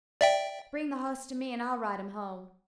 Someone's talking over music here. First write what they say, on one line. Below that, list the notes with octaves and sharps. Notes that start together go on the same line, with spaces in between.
Bring the hoss to me, an' I'll ride him home.
D5 E5 G5